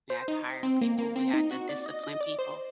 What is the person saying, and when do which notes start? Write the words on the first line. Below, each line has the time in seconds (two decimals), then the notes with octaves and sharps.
we had to hire people, we had to discipline people,
0.10 C5
0.28 D#4
0.63 C4
0.81 A#3
0.98 A#3
1.16 C4
1.34 D#4
1.51 F#4
1.69 D5
1.86 D#5
2.04 D#5
2.21 D5
2.39 C5